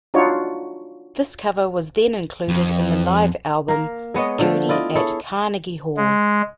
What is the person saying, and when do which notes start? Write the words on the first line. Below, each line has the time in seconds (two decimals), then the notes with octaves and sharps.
This cover was then included in the live album "Judy at Carnegie Hall".
0.14 D4 D#4 F4 F#4 C#5
2.48 F2
3.68 A#3 A#4
4.14 G#3 B3 C#5 D#5
4.39 D3 F3 A3
4.69 E4 F4 D5 D#5
4.95 E4 G#4 A4 C#5
5.97 G#3